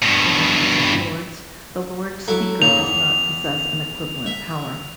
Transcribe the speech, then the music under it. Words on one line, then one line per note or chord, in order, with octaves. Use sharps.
In the House of Lords, the Lord Speaker does not possess an equivalent power.
G2 B2
F#3 E4 A4
A#2 C#3 F7
E2
E5